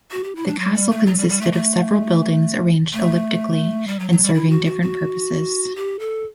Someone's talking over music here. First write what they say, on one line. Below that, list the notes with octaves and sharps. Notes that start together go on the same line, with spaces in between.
The castle consisted of several buildings arranged elliptically and serving different purposes.
F#4
G4
E4
D4
F#3
G3
A3
F#3
G3
G3
A3
A3
A3
G3
F#3
F#3
G3
E4
F#4
F#4
F#4
G4
A4